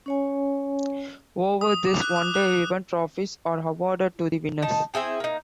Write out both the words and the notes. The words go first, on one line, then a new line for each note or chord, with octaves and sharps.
Over this one-day event, trophies are awarded to the winners.
C#4 C#5 G#5
D#6
D6
F#6
D#6
F#6
D#4 A5
C4 E4 G#4 G5
A#3 D#4